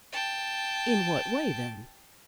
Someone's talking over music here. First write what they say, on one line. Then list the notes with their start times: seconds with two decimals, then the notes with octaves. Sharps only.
"In what way then?"
0.13 G5 A5